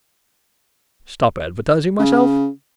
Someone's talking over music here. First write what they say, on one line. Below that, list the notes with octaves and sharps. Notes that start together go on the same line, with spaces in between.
Stop advertising myself!
C#3